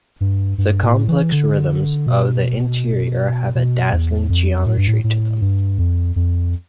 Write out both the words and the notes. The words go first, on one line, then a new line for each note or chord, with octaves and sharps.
The complex rhythms of the interior have a dazzling geometry to them.
G2
G2
A2
E3
D3
B2
B2
E2
F2
A2
G2
A2
A2
G2
F2
F2